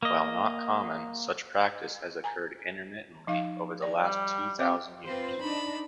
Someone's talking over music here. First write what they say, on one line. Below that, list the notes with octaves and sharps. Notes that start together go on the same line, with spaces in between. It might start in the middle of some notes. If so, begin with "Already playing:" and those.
While not common, such practice has occurred intermittently over the last two thousand years.
A#3 D#5
G#5 A#5
F3 D#4 F5
D5
G3
C4 G4 C5 F5
C4 F4 B4 C5
D4 D#4 A5 B5